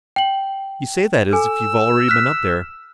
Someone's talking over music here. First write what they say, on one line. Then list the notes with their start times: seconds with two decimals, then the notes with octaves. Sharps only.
"You say that as if you've already been up there."
0.16 G5 F#7
1.33 A4 G#5 E6
2.09 F6 F#6 B6